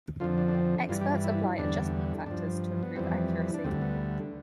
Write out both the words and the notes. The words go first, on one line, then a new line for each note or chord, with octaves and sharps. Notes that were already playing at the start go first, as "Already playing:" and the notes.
Experts apply adjustment factors to improve accuracy.
F2 D3 F3 F4
D4
D4
C4
G2 E3 G3 F4
G4
F4
E4
E2 D3 G3 D4
G2 F3 D4
B3
F2 E3 G3 C4
D4
D2 D3 G3 C4
B3